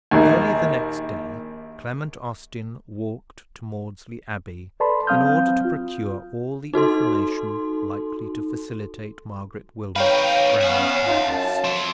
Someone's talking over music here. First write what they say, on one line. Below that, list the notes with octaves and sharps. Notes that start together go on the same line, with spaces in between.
Early the next day Clement Austin walked to Maudesley Abbey, in order to procure all the information likely to facilitate Margaret Wilmot's grand purpose.
A#1 D#2
A4 B4 D5 A5 B5 C6
F#3 C4 F5 D#6 F6 G6
F4
D#4 F#4 A4 C6
D#4 B4 C#5 F5 G5
B3 C#4 E5 F#5
D#4 F4
F#2 A5
F3 C4